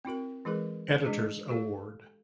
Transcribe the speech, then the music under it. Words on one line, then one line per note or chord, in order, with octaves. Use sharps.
Editors Award.
C4 E4 F#4 A#4
E3 G#3 E4 G#4 A#4 B4
G#3 D4 G#4
F#4 G4 A4 F5